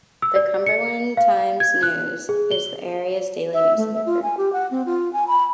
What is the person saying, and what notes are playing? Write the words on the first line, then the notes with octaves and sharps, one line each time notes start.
The "Cumberland Times-News" is the area's daily newspaper.
E6
D5
C#7
F5
G#6
F#6
G#4
G7
E5
A3
E5
F4
G#5
G4
F#5
C4
F4
G#5
B5